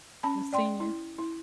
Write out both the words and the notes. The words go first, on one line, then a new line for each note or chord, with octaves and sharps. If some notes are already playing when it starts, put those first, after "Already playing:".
the senior.
C#4 A5 B5
D5 G5 C6
E4
E4